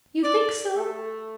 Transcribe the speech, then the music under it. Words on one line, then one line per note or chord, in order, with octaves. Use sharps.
"You think so?"
D5
A3